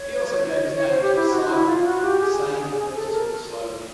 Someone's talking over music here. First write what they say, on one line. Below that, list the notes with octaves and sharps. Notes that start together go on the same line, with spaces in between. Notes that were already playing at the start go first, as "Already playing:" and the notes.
He also gave his name to a cider brand with the same advertisement slogan.
Already playing: C#5
C#5
C5
G4
E4
F#4
E4
F4
F#4
G4
G#4
A4
A#4